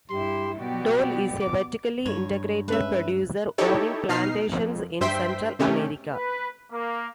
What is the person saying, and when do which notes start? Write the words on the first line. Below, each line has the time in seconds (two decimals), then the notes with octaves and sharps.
Dole is a vertically integrated producer, owning plantations in Central America.
0.10 G2 E4 G4 C6
0.59 B2 F#3 B3 F#4 G4 D5 G5
1.42 D6
2.06 G2 C#5
2.68 G#3 C#4 B4 E5
3.58 D#4 E4 G4 A4 C#5
4.09 B2 D#4 F6 C7
4.52 F2
5.01 G2 C5 E5 G5 C6 B6
5.59 C3 D#3 A3 C#4 G4
6.12 B4
6.69 A#3